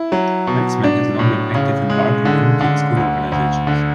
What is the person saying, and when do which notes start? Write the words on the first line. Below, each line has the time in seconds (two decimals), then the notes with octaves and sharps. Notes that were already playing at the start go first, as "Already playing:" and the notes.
Waxman has long been active in Bar, community and school organizations.
Already playing: E4
0.12 F#3
0.47 B2
0.84 D4
1.19 A2
1.55 C#3
1.90 G#3
2.25 D3
2.61 D3
2.97 D2
3.32 D2
3.67 D3